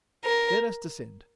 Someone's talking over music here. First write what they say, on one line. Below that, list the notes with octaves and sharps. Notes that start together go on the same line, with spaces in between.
Let us descend.
A#4